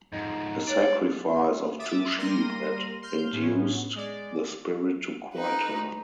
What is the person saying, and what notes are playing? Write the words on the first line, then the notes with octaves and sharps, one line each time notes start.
A sacrifice of two sheep had induced the spirit to quit her.
F2 G#2 D#4
C#5 D5
E5 D6 D#6 A6
G3 A#3 A#4 C6 A#6 D#7
C6 F6 G6
A2 B3 C#4
G#3 D5
D#4 B4